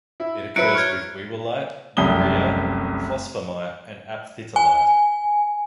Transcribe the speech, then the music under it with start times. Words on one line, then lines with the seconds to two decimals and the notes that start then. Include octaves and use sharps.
It occurs with whewellite, urea, phosphammite and aphthitalite.
0.20 E4
0.56 F#3 E4 B4 F#6 C#7 D7
0.74 C#5 F6 G#6
1.97 F1 C2 F#2 G4 D#6 G7
4.56 G#5